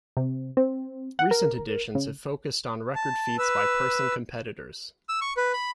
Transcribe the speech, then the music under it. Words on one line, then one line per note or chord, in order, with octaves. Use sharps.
Recent editions have focused on record feats by person competitors.
C3
C4
F#5
A#4
C#3
A5
B4 E6
E6
C#6
B4
B5